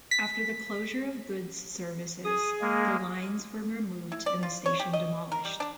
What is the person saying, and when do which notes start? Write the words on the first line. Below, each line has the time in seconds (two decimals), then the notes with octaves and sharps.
After the closure of goods services, the lines were removed and the station demolished.
0.11 B6
2.24 G#4 D#6
2.61 G#3 A#3
4.12 E4
4.26 D5
4.43 F4
4.66 C#5
4.80 G4
4.93 D#5
5.32 A#4
5.45 G3
5.60 D4